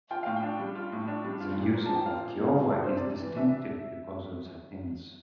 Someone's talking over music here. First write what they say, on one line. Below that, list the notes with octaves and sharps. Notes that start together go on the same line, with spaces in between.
The music of Kiowa is distinctive because of the hymns.
F4 G5
A2 F5
G5
D4
G3
F4
A2
D4
G3
F4
A#2
A#3
F3 A5
G5
F4 F5
A#2
A#3
F3
D4 D5
C3 C5
D5
G3
E3
D4 E5